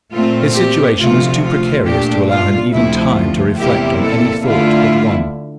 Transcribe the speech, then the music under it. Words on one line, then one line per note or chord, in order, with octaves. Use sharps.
His situation was too precarious to allow him even time to reflect on any thought but one.
A#2 A3 C4 F4
G4
D2 C3 F3 A3 F4
F4
A#2 A3 D4 G4
F4
D2 C3 F3 A3 E4
F4
E2 C3 G3 A#3 E4 G4
A4
D3 A3 E4 F4